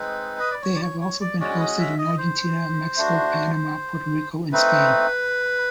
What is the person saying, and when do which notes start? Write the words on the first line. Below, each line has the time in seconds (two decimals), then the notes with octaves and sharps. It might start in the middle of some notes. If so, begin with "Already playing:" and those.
They have also been hosted in Argentina, Mexico, Panama, Puerto Rico, and Spain.
Already playing: G#3 C4 D#4 B4
0.39 D#5
0.51 D5
0.62 C#5
0.75 D5
0.82 C#5
1.01 C#5
1.21 D5
1.40 G#3 C#4 F#4 D5
1.60 D#5
1.79 E5
1.98 D#5
2.18 C5
2.97 A3 D4 F#4
4.52 A3 C4 D#4 B4